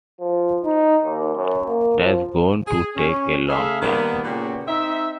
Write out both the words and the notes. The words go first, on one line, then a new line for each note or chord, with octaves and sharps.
That's going to take a long time.
F3
D#4
D#2
F#2
A#3
F3
G#4
C#4
C#3 A3 G#4 E5 F5
D#3 G3 A#3 B3
A#2 C#3 B3 F#4 G4
C4 D#4 E5